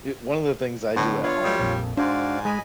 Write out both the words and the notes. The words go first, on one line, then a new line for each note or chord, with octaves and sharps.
I one of the things I do at home
A2 D3 B3
D3 B3 F4 C#5 F5
F#3 G3 A3 D#5
A#1 F2
G#2 D4 F#4 C5 D5 F5
G#3 D#5 G#5 B5